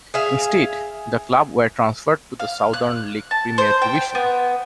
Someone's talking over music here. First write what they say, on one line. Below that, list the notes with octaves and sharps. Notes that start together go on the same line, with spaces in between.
Instead, the club were transferred to the Southern League Premier Division.
G#4 E5 F5
F5
F#6
A5
C5
G5
G5
B3